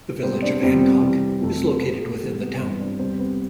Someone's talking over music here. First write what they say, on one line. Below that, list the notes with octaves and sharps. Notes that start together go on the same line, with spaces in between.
The Village of Hancock is located within the town.
C3 G3 B3 C4 C5
D4 D5
F2 C3 G3 B3 C4 C5
C3 E3 G3
F2 C3 F3 A3
B2 B3 B4
A3 A4
C3 E3 G3 B3 G4
B3 B4
G2 E3 G3 B3 C4 C5
D4 D5
E2 C3 G3 C4 C5
B3 B4